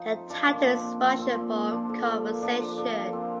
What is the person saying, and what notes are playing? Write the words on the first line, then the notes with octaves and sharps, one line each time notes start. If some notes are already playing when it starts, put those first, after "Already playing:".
The title is Russian for "Conversation".
Already playing: F3 D#4
C4
F3 D4
A#2
A#2
C4
F3 C4
A#2
A#2
C4
F3 D4
D3
D3
A#3
F3 D4
D3
D3 D4
A#3
F3 C4